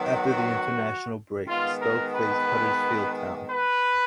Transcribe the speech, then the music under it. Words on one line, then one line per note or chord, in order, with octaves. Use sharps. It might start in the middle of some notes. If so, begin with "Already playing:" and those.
After the international break Stoke faced Huddersfield Town.
Already playing: D#3 F#3 B3
F#4
D#3 G#3 B3 F4
A#4
B4
B4